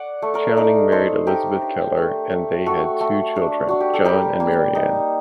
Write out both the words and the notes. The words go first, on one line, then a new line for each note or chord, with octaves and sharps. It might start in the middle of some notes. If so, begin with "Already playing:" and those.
Chowning married Elisabeth Keller and they had two children, John and Marianne.
Already playing: D5 F#5
A3
A#4 D5
D#4 A#4 D5
D#4 A4 C5
A3 G4 A#4
D4
A3
A3
A3 F#4 A4
A3
D4
D4 F#4
G4
A4
G3 G4 A#4
A#3
D#4